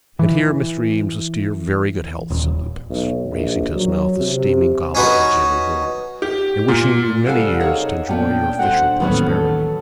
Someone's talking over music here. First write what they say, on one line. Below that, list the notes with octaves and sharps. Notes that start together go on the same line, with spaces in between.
"And here, Mr. Eames, is to your very good health," said Lupex, raising to his mouth a steaming goblet of gin-and-water, "and wishing you many years to enjoy your official prosperity."
E3
D#1
B1
A#1
F#3
C3
C#4 D#4 F#4 B4
G4
A#2
C3 G3 A4 F5 F#5 G#5 E6
D#4 G#4 A#4 C#5
A#2 B3 C#4 D4 G5
A3 F#4 C5 F#5
A1 D#2 F#3 A3 B3 C#4
A4